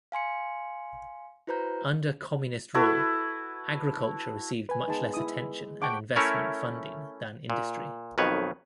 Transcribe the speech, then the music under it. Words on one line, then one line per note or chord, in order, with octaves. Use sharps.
Under communist rule, agriculture received much less attention and investment funding than industry.
F5 G#5 C6 C#7
E4 F#4 B4 C5 A#5 G6
E4 F#4 A4 B4
B4 G#5
G#3 B3 D#4 A5
E4 D#6
F#5 G5 A5 C#6 D6
A3 C#4 E4 A#4 C#5
A#2
B1 F2 D#3 B4 C#5